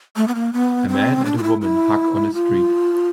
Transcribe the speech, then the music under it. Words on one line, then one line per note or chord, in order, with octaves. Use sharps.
A man and a woman hug on a street.
A3
B3
A#3
B3
C4
D4
F4
E4
E4
F4